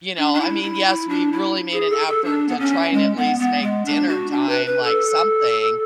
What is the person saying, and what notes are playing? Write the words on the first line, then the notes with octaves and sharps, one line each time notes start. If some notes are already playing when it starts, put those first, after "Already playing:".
you know I mean, yes, we really made an effort to try and at least make dinner time, like, something
D4
D4
E4
E4
E4
D4
E4
G#4
A4
A4
D4
B3
C#4
G#3
B3
B3
G#3
D4
F#4
D4
B4
B4
A4